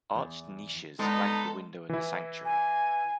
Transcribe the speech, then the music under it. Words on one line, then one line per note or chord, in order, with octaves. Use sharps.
Arched niches flank the window in the sanctuary.
E2
G#3 B3 D#4 A4 D5 A5
E3 E4
G#5